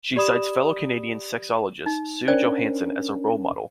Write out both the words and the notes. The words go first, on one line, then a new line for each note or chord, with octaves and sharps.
She cites fellow Canadian sexologist Sue Johanson as a role model.
G4 D5 B5 D#6 E7
D#4
C#4 D4 A#4 C5 D5 G5